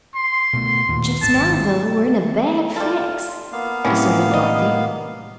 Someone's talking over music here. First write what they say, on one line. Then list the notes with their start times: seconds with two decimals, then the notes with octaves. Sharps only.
"Just now, though, we're in a bad fix," asserted Dorothy.
0.15 C6
0.53 B2 A3
0.89 D#2 A#2
1.22 G#1 C3 A5
2.76 G3 F4 A4
3.52 A#3 B3 F5
3.85 A2 C3 E3 C#4 E4
4.31 D4 D#5